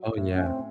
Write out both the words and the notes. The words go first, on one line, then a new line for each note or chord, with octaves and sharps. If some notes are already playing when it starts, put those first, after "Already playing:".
oh, yeah.
Already playing: F#3
A2
C#4
C4